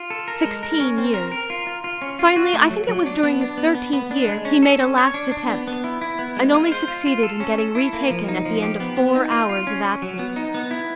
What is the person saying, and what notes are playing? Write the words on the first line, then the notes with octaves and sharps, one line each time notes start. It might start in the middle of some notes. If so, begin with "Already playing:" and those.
Sixteen years. Finally, I think it was during his thirteenth year, he made a last attempt, and only succeeded in getting retaken at the end of four hours of absence.
Already playing: F4
A4
A#4
G#3
A#4
C#4
C4
A#4
A#4
F4
F4
F4
C#4
F4
F#4
A3
F#3
F#3
D4
B3
D4
B3
B3
B3
D4
G#3
C#4
A4
C#4
C#5
D4
D4
B3
B3
E4
E4
B3
G#3
F4
C5
F4
F4
A4
C#4
A4
E4
A#3
F3
D#4
F3
G4
B3
B3
D#4
F4
F4
C#4
C#4
F#3
B3
D#4
B3
E4